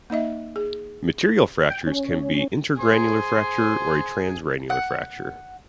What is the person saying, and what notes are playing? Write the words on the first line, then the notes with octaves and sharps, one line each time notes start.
Material fractures can be intergranular fracture or a transgranular fracture.
A#3 D#4 D#5 E5
G#4
G5
C#4
G#4 C5 C6
F#5